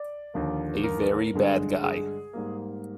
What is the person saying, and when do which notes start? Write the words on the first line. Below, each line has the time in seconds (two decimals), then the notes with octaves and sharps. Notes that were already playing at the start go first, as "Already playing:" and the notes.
A very bad guy.
Already playing: D5
0.34 D#2 D3 F3 A#3
0.83 A#4
1.33 G2 D3 G#3
1.83 G#4
2.33 G#2 G3 A#3